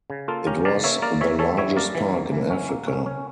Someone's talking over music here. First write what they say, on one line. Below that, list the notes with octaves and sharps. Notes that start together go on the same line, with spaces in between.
It was the largest park in Africa.
C#3
A#3 F4 A4
C#4 G4 A#4
C#3 A#4 D5
A#3 C#5 E5
A#3 A#4 D5
E3 C#5 E5
E3 A4 C#5
G3 C#5 E5
A#3 A#4 D5
E3
A#3
E3
C#4
A#3
C#4
C#4